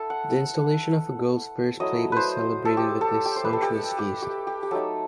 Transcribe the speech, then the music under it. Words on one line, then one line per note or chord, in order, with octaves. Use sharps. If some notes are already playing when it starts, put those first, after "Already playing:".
The installation of a girl's first plate was celebrated with a sumptuous feast.
Already playing: B3 E4 A4
F#5
F#3 A3 E4 D#5
B4 C5
A4
G4
A4
G4
C5
B4
A4
G4
G4
G4
G4
G4
F#3 A3 D#4 A4